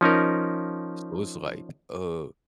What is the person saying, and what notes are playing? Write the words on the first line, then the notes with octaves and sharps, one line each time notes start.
So it's like, uh,
F3 C#4 D#4 A#4